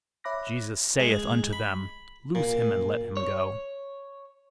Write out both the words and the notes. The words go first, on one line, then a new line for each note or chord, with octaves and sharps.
Jesus saith unto them, Loose him and let him go.
C#5 E5 B5 D6 F#6 A#6
G#3
B5
A#2
C#5